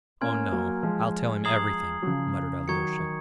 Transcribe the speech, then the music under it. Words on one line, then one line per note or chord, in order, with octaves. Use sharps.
"Oh, no. I'll tell him everything," muttered Alyosha.
A#3 C#4 G#5 C6 F6 G#6
F#3 A#3
F3 G#3
A#5 D#6 G#6 C7 F#7
F#3
C#3 F3
D#3 F#3 A#5 C#6 G#6 C#7
D#3 F#3